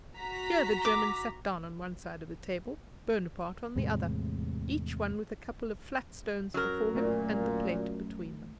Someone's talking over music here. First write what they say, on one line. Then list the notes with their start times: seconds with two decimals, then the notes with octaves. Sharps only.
Here the German sat down on one side of the table, Bonaparte on the other; each one with a couple of flat stones before him, and the plate between them.
0.16 F#4 A#5 B6
0.85 D6
3.76 E2 A2 C3 G#3
6.54 F#2 F#3 A#4
6.95 A#2 A3